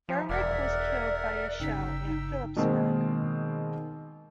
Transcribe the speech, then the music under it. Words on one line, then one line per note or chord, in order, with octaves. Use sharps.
Berwick was killed by a shell at Philippsburg.
F3 G4 E5
E1 A#4 D5 E5 F#5 D6 G#6 B6
G1 C#3 D#4 G5 E6 B6
B2 D#3 G#3 A#3 C4